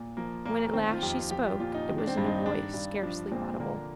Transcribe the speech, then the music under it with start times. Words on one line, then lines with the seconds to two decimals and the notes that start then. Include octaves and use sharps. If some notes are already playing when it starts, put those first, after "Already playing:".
When at last she spoke it was in a voice scarcely audible.
Already playing: A#2
0.17 F3 A#3
0.45 A#2 A#3
0.74 D#3 C4
0.91 F4
1.02 F2 G4
1.31 F3 G4
1.41 F4
1.46 G4
1.59 A#2 F4
1.74 D#4
1.88 D#3
1.98 D4
2.07 C4
2.17 G2
2.26 D#4
2.45 D#3 D4
2.74 G2
3.03 F3 D4
3.31 A#2 C4
3.60 D3 A#3